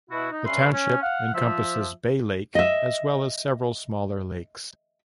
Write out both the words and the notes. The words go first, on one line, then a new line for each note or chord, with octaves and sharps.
The township encompasses Bay Lake as well as several smaller lakes.
B2 E4 F#4
D#4
G2 C#4 B4 E5 C6
C#4
F5 F#5
F3 E5
D#5 E5